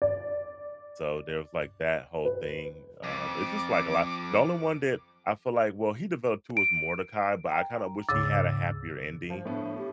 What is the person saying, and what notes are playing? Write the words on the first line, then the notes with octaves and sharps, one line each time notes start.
so, there was, like, that whole thing, um, it's just like a lot the only one that I feel like well, he developed too as Mordecai, but I kinda wish he had a happier ending
D5
B4
F2 D6
D7
G5 A#5
D2 G#2 C#3 D6 E6 A6
F3
A2 B3 D4
G4